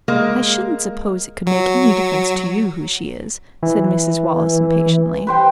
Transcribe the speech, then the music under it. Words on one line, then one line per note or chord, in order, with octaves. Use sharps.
"I shouldn't suppose it could make any difference to you who she is," said Mrs. Wallace impatiently.
G#3 A#3
F#3
E3
B4 C5 G5